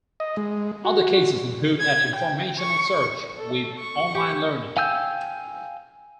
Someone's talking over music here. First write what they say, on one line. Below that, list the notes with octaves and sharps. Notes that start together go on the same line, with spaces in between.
Other cases include an Informational search with online learning.
D#5
G#3
F#4
G#6
G5
C#6
A4
C#6
G4
F5 G5 G#5 E6 G6